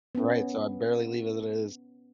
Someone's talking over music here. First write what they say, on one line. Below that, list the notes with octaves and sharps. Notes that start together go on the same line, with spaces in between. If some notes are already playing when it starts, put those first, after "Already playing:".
Right, so I barely leave as it is.
B3 C#4